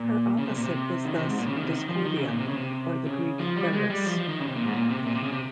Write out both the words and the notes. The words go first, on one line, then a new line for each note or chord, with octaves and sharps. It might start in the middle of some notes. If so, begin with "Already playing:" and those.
Her opposite is thus Discordia, or the Greek Eris.
Already playing: A#2
C#3
C3
A#2
C3
D#3
C3
G#2
A#2
C#3
D#3
C3
D#3
F3
D#3
C#3
A#2
C3
C#3
C3
C#3
F3
G3
G#3
G3
F3
F3
D#3
C#3
C3
A#2
G#2
A#2
C3
A#2
C3
C#3
C3